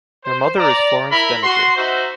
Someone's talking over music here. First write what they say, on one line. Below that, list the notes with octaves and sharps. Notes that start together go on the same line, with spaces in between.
Their mother is Florence Deniger.
C5
D5 A#5
E4 A#4 B5
F#4 C6
D#4 F#4 C5 E5